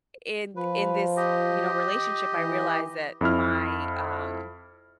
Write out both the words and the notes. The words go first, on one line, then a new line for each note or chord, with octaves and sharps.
in in this, you know, relationship, I realized that my um
F3 B4
G4 D#5
E3
F2 E4 F6